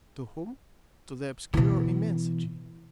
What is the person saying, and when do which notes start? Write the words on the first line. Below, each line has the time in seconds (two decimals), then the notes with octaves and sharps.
To whom? To the obscure immensity.
1.54 B2 E3